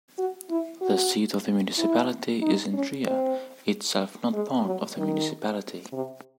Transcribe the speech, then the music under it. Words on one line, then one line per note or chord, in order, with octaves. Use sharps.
The seat of the municipality is in Trier, itself not part of the municipality.
F#4
E4
F#4
E4
D#4
C#4
C4
G#3
F#3
D#3
C3